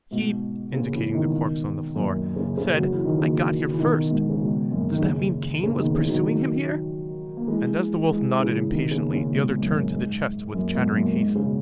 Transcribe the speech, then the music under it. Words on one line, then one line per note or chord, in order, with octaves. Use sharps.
"He," indicating the corpse on the floor, "said, 'I got here first.' Does that mean Kane was pursuing him here?" And as the Wolf nodded impatiently the other turned to the chests with chattering haste.
G#2 B2
A#2 C#3
C#3 E3
B2 D#3
F#2 A#2
A#2 C#3
A#2 C#3
F#3
E3
D#3
A#2 C#3
E3
B2 D#3
G#2 B2
C#3
G#2 B2
F#2 A#2
D#3
A#2 C#3
A#2 C#3
B2 D#3
C#3 E3
D#3 F#3
A#3
E3 G#3
E3 G#3
C#3 E3
B2 D#3
A#2 C#3
A#2 C#3
G#2 B2
G#2
F#2 A#2
G#2
F#2 A#2
G#2 B2
F#2 A#2
G#2
C#3
B2